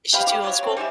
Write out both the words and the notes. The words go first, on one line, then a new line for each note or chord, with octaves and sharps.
Is she too old school?
G4 F5 B5
G4
F#3 C#5
C4
G3 G#3 F4 E5